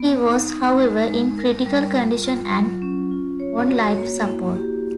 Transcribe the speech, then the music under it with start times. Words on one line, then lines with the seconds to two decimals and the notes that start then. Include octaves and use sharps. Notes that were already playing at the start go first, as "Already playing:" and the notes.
He was, however, in critical condition and on life support.
Already playing: B3
0.22 D#4
0.50 D#4
0.79 G#3
1.08 G#3
1.38 A#4
1.66 G3
1.94 F4
2.24 F4
2.52 F#3
2.82 C#4
3.11 F4
3.40 C#5
3.68 F#4
3.98 A#3
4.26 E4
4.55 G4